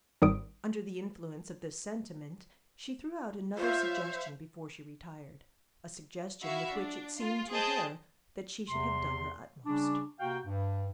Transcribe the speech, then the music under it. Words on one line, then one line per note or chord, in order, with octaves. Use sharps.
Under the influence of this sentiment she threw out another suggestion before she retired--a suggestion with which it seemed to her that she should have done her utmost.
G#1 G#2 D#3 G3 D#6 D7
F4 C5 C#5 E5 F5
E4 F#4 E5 F5
D4
F4
G#4 C5 D#5 G5 A5 G6
E2 C3 C6
C#3 G3 C#4 D4
C3 A#3 F#4 F5 G5
G2